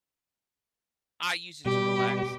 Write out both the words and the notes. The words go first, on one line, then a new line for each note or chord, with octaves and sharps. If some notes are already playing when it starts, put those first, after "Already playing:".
I use it to relax.
B2 G3 G4